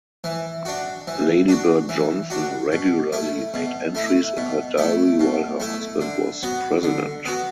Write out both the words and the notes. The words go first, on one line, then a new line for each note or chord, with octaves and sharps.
Lady Bird Johnson regularly made entries in her diary while her husband was president.
E3
D4 F#4
E3
D4 F#4
E3
D4 F#4
B2
A3 E4
B2
A3 E4
B2
A3 E4
B2
A3 E4
D3
B3 F#4
D3
B3 F#4